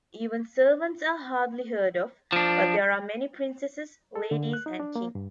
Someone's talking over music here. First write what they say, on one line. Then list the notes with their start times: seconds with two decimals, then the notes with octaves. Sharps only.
Even servants are hardly heard of, but there are many princesses, ladies and kings.
2.32 F3 D4
4.15 A4
4.31 D3
4.53 F#6
4.66 D#4
4.80 D4
4.96 A#3
5.15 G2